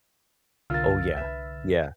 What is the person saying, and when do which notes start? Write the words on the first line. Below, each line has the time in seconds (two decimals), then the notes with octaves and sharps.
Oh, yeah. Yeah.
0.70 C2 D3 F4 A#4 F5 E6 F6 A6
1.17 B4 E5